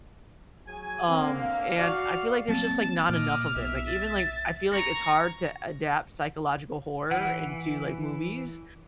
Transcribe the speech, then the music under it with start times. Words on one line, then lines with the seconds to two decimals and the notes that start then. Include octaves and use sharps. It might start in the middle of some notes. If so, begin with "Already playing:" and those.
um, and I feel like there's just, like, not enough of it, like, even like I feel like it's hard to adapt psychological horror into, like, movies,
0.68 F#3 G#4 G#5
1.08 D3 A#3 C4
1.41 F5
1.78 F#4 D5 F5
2.48 F#3 A#3 C4 A5
3.09 A#2 D#5 D6 F6
3.56 B1 B2 E5
3.87 A6
4.72 A#5 C#6 A#6
7.11 E3 F#5